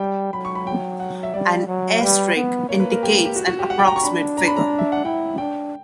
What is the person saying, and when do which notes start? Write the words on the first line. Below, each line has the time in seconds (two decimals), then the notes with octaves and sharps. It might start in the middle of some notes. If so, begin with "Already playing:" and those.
An asterisk indicates an approximate figure.
Already playing: G3 G5
0.33 F#3 B5
0.45 C#6
0.55 B5
0.67 G5
1.00 F#5
1.23 E5
1.34 G3 D5
1.67 F#3
2.01 G3 B4
2.36 B3
2.69 A#3 C#5
2.80 B4
2.91 A#4
3.03 G4
3.13 G4
3.25 G4
3.36 F#4
3.48 F#4
3.59 G4
3.70 F#5
3.79 G5
3.87 A#5
3.96 C#6
4.04 D4 B5
4.37 A#5
4.47 B5
4.56 A#5
4.79 E5
4.92 F#5
5.04 E4 G5
5.38 D4 G5